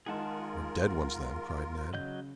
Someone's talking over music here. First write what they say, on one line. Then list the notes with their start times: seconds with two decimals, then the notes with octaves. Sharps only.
"We're dead ones, then!" cried Ned.
0.06 D#3 G#3 D#4 F4 G#4 A#4 F#5 A5
1.94 C#3 F#3 D#5 G6